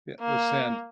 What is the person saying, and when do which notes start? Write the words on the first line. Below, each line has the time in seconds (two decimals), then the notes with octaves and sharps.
Yeah, the sand
0.20 A#3